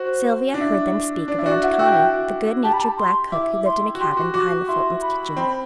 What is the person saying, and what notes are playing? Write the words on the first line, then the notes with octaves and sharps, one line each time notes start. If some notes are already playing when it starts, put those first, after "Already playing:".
Sylvia heard them speak of Aunt Connie, the good-natured black cook, who lived in a cabin behind the Fultons' kitchen.
Already playing: F#4 C5
D4
E4
D4 D5
E4
F#4 D5
E4 F#5
F#4 G5
E4
F#4
G4 A5
B5
A5
C6
E4 D6
C6
F#4
G4 C6
F#4
F#4 D6
E4 C6
B5
C4